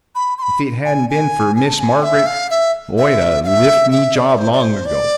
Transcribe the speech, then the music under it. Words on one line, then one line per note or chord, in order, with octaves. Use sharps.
If it hadn't been fer Miss Margaret Oi'd a lift me job long ago.
B5
C6
B5
G#5
G#5
G#5
A5
A5
G#5
E5
F5
E5
E5
F5
E5
E5
D5
C5
D5
C5
D5